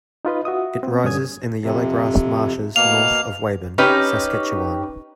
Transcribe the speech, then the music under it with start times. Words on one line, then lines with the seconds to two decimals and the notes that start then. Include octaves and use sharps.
It rises in the Yellow Grass Marshes north of Weyburn, Saskatchewan.
0.25 D#4 F4 B4 D#5
0.45 F4 F#4 E5 D#6
0.83 B3 C4
1.04 G2 D3 C#4 D#6 G#6
1.64 F2 C3
2.76 B2 A#3 F5 F7
3.78 C#4 D#4 G4 B4